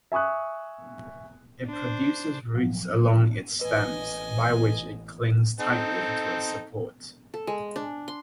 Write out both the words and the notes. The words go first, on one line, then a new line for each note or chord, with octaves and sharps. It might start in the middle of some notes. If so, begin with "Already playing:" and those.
It produces roots along its stems by which it clings tightly to its support.
E5 G#5 C#6 D#6 F#6
D4 C5
F3 F#3
A1 B4 D#5 G#5
C4 D#4 A4
A4
G#3
D4
C6